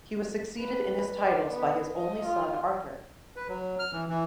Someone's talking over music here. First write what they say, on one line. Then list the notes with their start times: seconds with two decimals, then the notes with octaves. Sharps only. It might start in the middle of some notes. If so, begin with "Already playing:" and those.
He was succeeded in his titles by his only son Arthur.
0.58 B4
1.18 D5
1.52 B3
1.94 D#5
2.25 F4
3.36 B4
3.49 F#3
3.79 F6
3.92 E3
4.09 E3